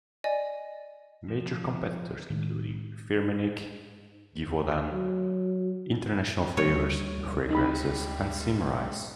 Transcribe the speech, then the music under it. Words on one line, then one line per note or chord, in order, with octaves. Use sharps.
Major competitors included Firmenich, Givaudan, International Flavors and Fragrances and Symrise.
D5 D#5 G#5
F3
A2 D#3 G#3 D4
F#3
D2 G3 C#5
G#3 D#4 G4 B5